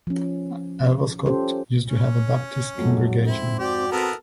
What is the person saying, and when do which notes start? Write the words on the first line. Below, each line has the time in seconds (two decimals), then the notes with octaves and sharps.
Alvescot used to have a Baptist congregation.
0.07 F3 C#4
1.26 C#4 F4 G4 A4 C5
1.88 C#4
2.78 F2 G#2 F#3 A3
3.26 C4 E4
3.59 F#4 G4 D5
3.92 B3 C4 A4 A#4